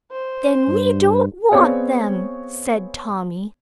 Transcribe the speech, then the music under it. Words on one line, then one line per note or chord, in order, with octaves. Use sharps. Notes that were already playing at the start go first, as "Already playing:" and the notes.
"Then we don't want them," said Tommy.
C5
G2
B3 C4 G#4 C#5 D5 F5